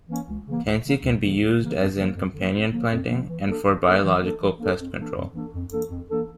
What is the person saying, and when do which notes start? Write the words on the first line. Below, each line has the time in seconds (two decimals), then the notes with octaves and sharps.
Tansy can be used as in companion planting and for biological pest control.
0.09 E3 A#3 C#4
0.28 C#2
0.47 C#3 E3 A#3
0.65 C#2
0.85 C#3 E3 A#3
1.03 C#2
1.22 C#3 E3 A#3
1.41 C#2
1.60 C#3 E3 A#3
1.79 F2
1.96 D3 F3 A#3
2.16 F2
2.34 D3 F3 A#3
2.53 F2
2.72 D3 F3 A#3
2.91 F2
3.09 D3 F3 A#3
3.28 E3
3.47 A#3 D4 A4
3.66 E3
3.85 A#3 D4 A4
4.03 E3
4.21 A#3 D4 A4
4.41 E3
4.60 A#3 D4 A4
4.79 F2
4.98 E3 A#3 D4 A4
5.16 F2
5.34 E3 A#3 D4 A4
5.54 F2
5.72 E3 A#3 D4 A4
5.90 F2
6.10 E3 A#3 D4 A4